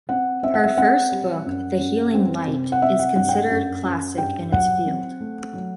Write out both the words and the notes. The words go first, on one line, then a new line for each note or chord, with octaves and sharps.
Her first book, "The Healing Light", is considered classic in its field.
C4 F#5
C4 E5
F#5
E5
C4 F#5
G3
F#2
F#2
C4
C3
F#5
C4 E5
F#5
G2 F#5
G5
F#5
F#2
F#2
G2 G5
F#3 F#5
C4
A3
F#3